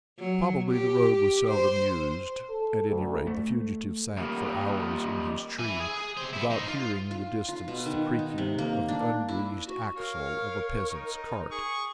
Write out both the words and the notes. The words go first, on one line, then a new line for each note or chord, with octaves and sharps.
Probably the road was seldom used; at any rate the fugitive sat for hours in his tree, without hearing in the distance the creaking of the ungreased axle of a peasant's cart.
F#3
G4
C5
A4
D2
A3
G3 A#3
E4 G#5
G#4
C3 C5
B3 E4
D#4 C5
F4
F4
F4
B2
D#3
D#4
C3
A#3
D4
E4
F#4
A#4 C#5 F5
D#4
G#4 C#6